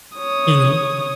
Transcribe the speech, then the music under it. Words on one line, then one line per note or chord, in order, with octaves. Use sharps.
You know?
C#5 D#6